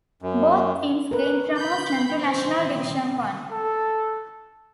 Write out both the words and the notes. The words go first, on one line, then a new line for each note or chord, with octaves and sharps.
Both teams gained promotion to National Division One.
F#2
A#4 B4
B5 G6
C4
A4